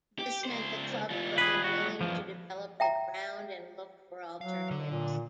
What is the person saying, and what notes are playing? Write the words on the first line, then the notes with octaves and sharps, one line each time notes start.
This meant the club were unwilling to develop the ground and looked for alternatives.
G4
C#2 C5
G3 F4
G#4 B4
F#4
E2 G2 F3
E5 G5 A#5
F#3 F5
D3
A#2